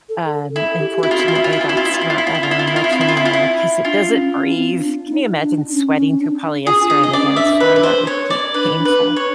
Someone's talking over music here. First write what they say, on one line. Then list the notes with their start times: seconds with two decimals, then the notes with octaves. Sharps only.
Um, unfortunately, that's not around much anymore 'cause it doesn't breathe. Can you imagine sweating through polyester on the dance floor? That would be painful.
0.09 A4
0.56 E4 A4
0.79 G4
0.98 G4
1.02 E4 F#4
1.11 F4
1.19 E4
1.28 F4
1.35 E4
1.44 F4
1.53 E4
1.61 F4
1.69 E4
1.77 F4
1.85 E4
1.94 F4
2.01 E4
2.10 F4
2.18 E4
2.27 F4
2.35 E4
2.43 F4
2.51 E4
2.59 F4
2.67 E4
2.76 F4
2.84 E4
2.91 C4 F4
3.01 E4
3.08 F4
3.17 E4
3.25 F4
3.33 E4
3.85 D4 F4
4.08 C#4
4.32 C#4
4.55 C4
4.78 D4
5.10 D#4
5.41 D4
5.73 C#4
5.96 C#4
6.19 D4
6.66 F4 G#4
6.90 D4 G#4
7.03 D#5
7.13 C#4 D5
7.36 D4 E5
7.60 B4
7.76 B4
7.83 C5
8.07 C#5
8.30 D5
8.54 D4 B4
8.78 D4
8.85 B4
9.01 D4
9.16 C#5